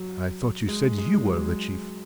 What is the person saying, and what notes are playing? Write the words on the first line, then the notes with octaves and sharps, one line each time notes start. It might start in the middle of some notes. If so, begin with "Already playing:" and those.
"I thought you said you were the chief?"
Already playing: F#3
G#3
G#3
G#3
F#3
G#3